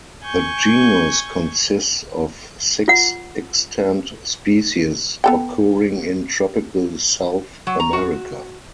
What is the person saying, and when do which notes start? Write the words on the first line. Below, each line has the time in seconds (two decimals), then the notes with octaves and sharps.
The genus consists of six extant species occurring in tropical South America.
0.24 G#5 C#6 G6
2.88 F4 F#5
5.24 B3 A4 G5
7.67 F#3
7.80 A#5
7.93 F#4